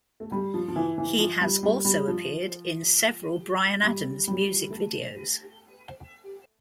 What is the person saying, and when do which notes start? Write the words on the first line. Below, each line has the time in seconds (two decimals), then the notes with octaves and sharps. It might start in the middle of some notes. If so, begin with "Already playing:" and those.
He has also appeared in several Bryan Adams music videos.
0.20 A3
0.32 G3
0.54 F3
0.68 F3
0.76 E3
0.98 E3
1.19 F3
1.41 G3
1.63 G3
1.85 G3
2.08 F3
3.83 G3
4.28 G3
4.71 A3